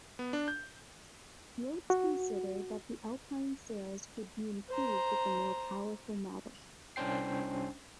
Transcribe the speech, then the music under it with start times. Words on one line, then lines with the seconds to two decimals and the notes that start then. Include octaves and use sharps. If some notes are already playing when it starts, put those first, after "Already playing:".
Rootes considered that the Alpine's sales would be improved with a more powerful model.
0.19 B3
0.33 D4
0.48 G6
1.90 F#4
4.70 C5 A#5
6.96 C2 C#4 D4 C5 G5 C7